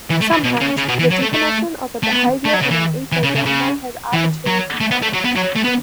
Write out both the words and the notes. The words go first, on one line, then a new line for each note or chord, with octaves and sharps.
Sometimes, the definition of a behaviour in an ethogram may have arbitrary components.
E3
A3
E3
B2
C#3
C#3
B2
E3
F#3
A3
A3
A3
B3
A3
F#3
C#3
E3
E3
C#3
C#3
C#3
E3
F#3
A3
B3
A3
F#3
B3
F#3
A3
B3